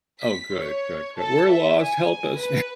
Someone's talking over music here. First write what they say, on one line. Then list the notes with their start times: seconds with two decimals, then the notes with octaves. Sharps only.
Oh, good, good, good. "We're lost. Help us."
0.20 B6
0.56 C#5
1.19 A4
1.49 E5
1.81 G#5
2.35 B4